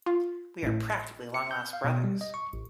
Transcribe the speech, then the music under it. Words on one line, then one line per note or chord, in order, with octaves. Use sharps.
We are practically long-lost brothers.
F4
A1 A2
C#7
G6
F5
B2
G3
D#5
C#6
A1